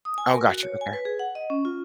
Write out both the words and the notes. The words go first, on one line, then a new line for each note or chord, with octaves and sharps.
Oh, gotcha, okay.
D#6
G#5
A#4
F#4
C#5
G#5
B4
G#4
F#5
D#5
C#4
F4